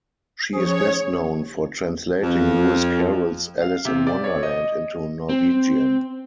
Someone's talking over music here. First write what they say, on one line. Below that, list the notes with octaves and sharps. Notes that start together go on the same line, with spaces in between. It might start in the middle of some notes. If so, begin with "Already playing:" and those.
She is best known for translating Lewis Carroll's "Alice in Wonderland" into Norwegian.
F3 C#4 G#4 C#5
F2
F5
C3
D5
C#5
D#5
C4